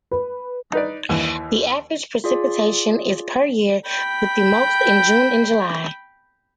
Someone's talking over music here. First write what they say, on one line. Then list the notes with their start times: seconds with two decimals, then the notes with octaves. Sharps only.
The average precipitation is per year, with the most in June and July.
0.11 B4
0.73 D#4 B4 D5
1.09 D#2 E3
2.24 F4 G#4 D5
3.87 G5 B5